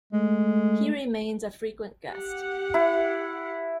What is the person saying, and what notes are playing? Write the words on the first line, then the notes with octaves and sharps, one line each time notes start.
He remains a frequent guest.
G#3 A3
G4 F#5
E4